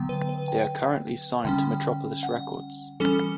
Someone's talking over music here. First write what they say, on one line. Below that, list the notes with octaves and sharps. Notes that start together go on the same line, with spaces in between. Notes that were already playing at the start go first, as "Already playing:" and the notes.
They are currently signed to Metropolis Records.
Already playing: D3 F#3 B3 G5
B4
B4
G5
D3 G3 C#4 G5
F#5
E3 G3 C#4 A4